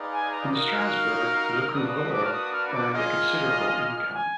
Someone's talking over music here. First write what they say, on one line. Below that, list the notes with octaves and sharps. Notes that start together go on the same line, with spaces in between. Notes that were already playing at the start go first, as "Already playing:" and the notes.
In Strasbourg, Lecouvreur earned a considerable income.
Already playing: D#4 G#4 B4 D5 F5
G#5
A#5
D6
D#4 F#4 A#4 F5 D#6
F6
F#6
F6
A#3 D4 F#4 B4 D5 D#6
D#6
D6
F6
D#6
F6
B5
D6
A#3 F4 G#4 D#5 F6
G#5